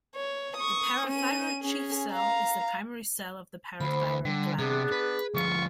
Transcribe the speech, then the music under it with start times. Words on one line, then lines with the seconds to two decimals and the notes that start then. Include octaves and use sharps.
The parathyroid chief cell is the primary cell of the parathyroid gland.
0.15 C#5
0.57 C#6 D#6
1.07 C#4 D#7
1.62 C#4 G#4
2.12 F5 A#5
3.80 D2 C5 B5
4.25 D3 G3
4.59 C3 B3 D4 G#4
4.92 B4
5.34 D2 F3 F4 C#6